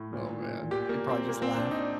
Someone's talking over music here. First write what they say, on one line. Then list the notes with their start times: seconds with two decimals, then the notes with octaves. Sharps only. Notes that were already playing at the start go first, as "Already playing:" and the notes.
Oh, man. He'd probably just laugh.
Already playing: A2
0.13 A#2
0.41 A#2
0.71 A#2 G4
0.89 A#3
1.00 A#2
1.09 C4
1.29 A#2 A#3
1.42 C4
1.56 A#2 D4
1.71 D#4